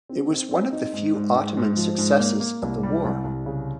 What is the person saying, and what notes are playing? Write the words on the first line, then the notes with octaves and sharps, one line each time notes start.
It was one of the few Ottoman successes of the war.
C4
C4
C4
D#4
G#2
G#2
G#2
G#2
F3
G#2
A#3
A#3
C2
G3
C2
C2
C#3